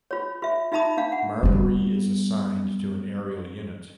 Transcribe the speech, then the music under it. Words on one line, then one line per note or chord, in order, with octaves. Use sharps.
Marbury is assigned to an aerial unit.
F4 C#5
F4 E5
D#4 F4 E5 A5 B5 D#6
D4 F5
F#5
G3 B3